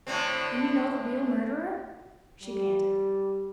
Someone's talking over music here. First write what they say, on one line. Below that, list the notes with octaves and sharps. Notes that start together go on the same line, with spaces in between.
"Then you know the real murderer?" she panted.
A2 D3 C4
G3